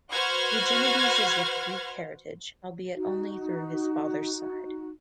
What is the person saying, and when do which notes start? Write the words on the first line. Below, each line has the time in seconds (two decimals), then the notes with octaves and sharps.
Eugenides is of Greek heritage, albeit only through his father's side.
0.12 F#4 B4 C5 F#5 F6 G#6
2.95 D#4 F#4